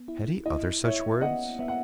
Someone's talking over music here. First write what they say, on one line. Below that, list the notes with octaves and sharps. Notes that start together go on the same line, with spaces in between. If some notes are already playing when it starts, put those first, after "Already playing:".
Had he other such words?
Already playing: B3
E4
E4 D#5
E4 C#5 E5
B3 D#5 F#5
B3 E5
F#5